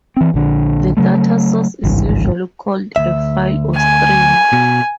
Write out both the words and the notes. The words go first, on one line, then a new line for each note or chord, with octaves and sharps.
The data source is usually called a file or stream.
E3 C4
A#1 D3
C#3 F#3 A3
G#1 C#2 G2 E3
D2 G2 E5
G#5
B2